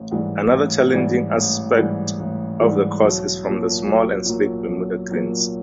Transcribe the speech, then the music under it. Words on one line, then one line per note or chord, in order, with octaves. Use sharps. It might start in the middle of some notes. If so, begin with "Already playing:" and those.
Another challenging aspect of the course is from the small and slick Bermuda greens.
Already playing: A1
G#2 E3 G3
A1
G#2 E3 G3
A1
G#2 E3 G3
A1
G#2 E3 G3
B1
A#2 F#3
B1
A#2 F#3
B1
A#2 F#3